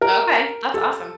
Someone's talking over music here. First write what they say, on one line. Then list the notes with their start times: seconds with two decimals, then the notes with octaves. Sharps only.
Okay, that's awesome.
0.01 A#4
0.74 A4